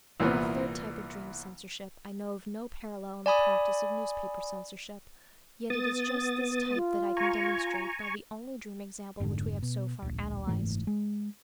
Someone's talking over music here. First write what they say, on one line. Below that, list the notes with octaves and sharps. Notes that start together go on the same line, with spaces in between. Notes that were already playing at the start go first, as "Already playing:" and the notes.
For a third type of dream censorship I know of no parallel in the practice of newspaper censorship, yet it is just this type that I can demonstrate by the only dream example which we have so far analyzed.
C2 A#2 E3 B3
D5 G#5 B5 D#6
B3 D#6 A6
F4
G#5 A#5 C#6
F1 G#2 B2 D3
B2
D1 A#1
F#1 G#2 E3 A3
G#3